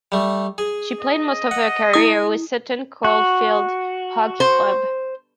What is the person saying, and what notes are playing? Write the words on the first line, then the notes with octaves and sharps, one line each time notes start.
She played most of her career with Sutton Coldfield Hockey Club.
G3 A3
G#4
D#5
F#5
E4 G#5 D#6
F#4
C5